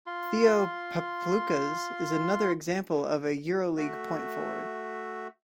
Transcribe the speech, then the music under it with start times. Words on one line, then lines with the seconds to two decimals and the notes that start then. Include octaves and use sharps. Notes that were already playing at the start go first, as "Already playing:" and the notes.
Theo Papaloukas is another example of a Euroleague point forward.
0.07 F4 C6
3.77 A3 F#4 E5